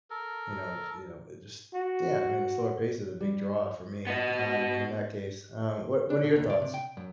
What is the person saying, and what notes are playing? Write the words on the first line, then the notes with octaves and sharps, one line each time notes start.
you know, d you know, it just yeah, I mean, the slower pace is a big draw for me, um, in that case, um, what what are your thoughts?
A4 A#4
F#4
G3
B3 D#5
D4
B2
D#2
D5
C3
G5
F#2